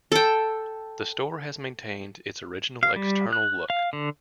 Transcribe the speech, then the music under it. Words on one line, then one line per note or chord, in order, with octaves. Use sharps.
The store has maintained its original external look.
A4 G5
F5
G3
F#6
F5
D3